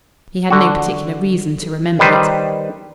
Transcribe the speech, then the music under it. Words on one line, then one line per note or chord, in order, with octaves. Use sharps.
He had no particular reason to remember it.
D3 F#4
D#3 G3 B4 C5